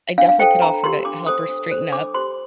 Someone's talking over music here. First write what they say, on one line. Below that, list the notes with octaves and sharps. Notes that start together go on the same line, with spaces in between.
I definitely could offer to help her straighten up.
D4 F5
F5
A4 C5 G5
D4 A#5
G4 A#4 C6
D4 D6
A4 C5 D#6
D4
A4 C5
D4 D6
G4 C5 C6